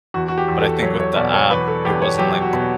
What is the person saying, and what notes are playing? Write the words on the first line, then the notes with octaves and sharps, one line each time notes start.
but I think with the app, it wasn't, like,
E2 F#4
F#4
G4
E2
A4
F#3 C#5
C#5
B2 D5
C#5
E2 B4
A4
E2 G4
C#5
F#3 G4
F#4
B2